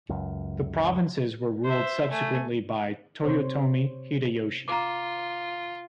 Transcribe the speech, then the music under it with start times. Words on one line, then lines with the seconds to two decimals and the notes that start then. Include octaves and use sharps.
The provinces were ruled subsequently by Toyotomi Hideyoshi.
0.09 C#2 F#2
1.64 C5 E5
2.11 A3 G#5
3.24 C3 C5 C#5
4.68 F4 A#5 D6